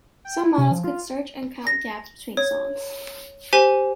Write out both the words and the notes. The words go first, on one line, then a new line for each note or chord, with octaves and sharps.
Some models could search and count gaps between songs.
G5
E4
C3
F3
F4
A#6
C#5
G4 C5 G#5 B6 D#7 G7